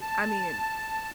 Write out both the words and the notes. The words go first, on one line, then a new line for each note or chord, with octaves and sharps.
I mean,
A5